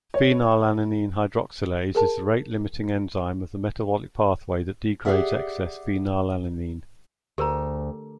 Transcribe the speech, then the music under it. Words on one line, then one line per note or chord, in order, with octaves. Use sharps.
Phenylalanine hydroxylase is the rate-limiting enzyme of the metabolic pathway that degrades excess phenylalanine.
C#5
G#4 A#4 A5
G4 G#4 C5 D5 E5 F#5
D2 G4 A#4 A#5